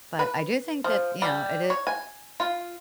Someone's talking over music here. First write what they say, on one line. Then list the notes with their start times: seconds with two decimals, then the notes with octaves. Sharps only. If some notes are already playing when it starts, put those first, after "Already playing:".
but I do think that, you know, it
0.19 B4
0.84 F3
1.22 G3
1.70 C#5
1.87 G#5
2.40 F4